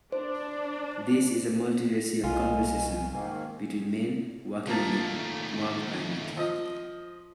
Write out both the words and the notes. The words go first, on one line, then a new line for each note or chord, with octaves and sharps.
This is a multiracial conversation between men walking in a warm climate.
D4 C5
C2 B2 F4 G#5
G#2 D#3 A#3
D#2 F3 A3 A#3 A5
F3 D#5